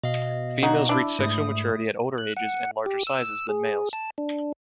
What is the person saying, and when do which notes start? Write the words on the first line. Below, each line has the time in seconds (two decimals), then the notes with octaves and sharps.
Females reach sexual maturity at older ages and larger sizes than males.
0.03 B2 D#5 F5
0.63 F#3 D#4 F#4
0.89 D4 E4
1.19 G#2 A3 D#6
2.18 F#6
2.37 F#5
2.86 G4
3.07 E6
3.49 G#4
3.93 A5
4.18 D4